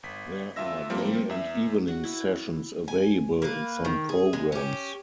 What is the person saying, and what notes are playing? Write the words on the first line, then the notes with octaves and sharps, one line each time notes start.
There are day and evening sessions available in some programs.
G1 B6
D2 F4 E5 E6 A#6
F3 G3 A3 A#3 C4
E2 E5
F#4
E4
G#5
A#3 B4
D#3
G#4
G#3
C#4 G4